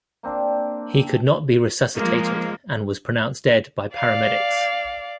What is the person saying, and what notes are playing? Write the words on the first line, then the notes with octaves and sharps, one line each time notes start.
He could not be resuscitated, and was pronounced dead by paramedics.
A#3 C4 D4
F3 G#3 A#3
D5 F5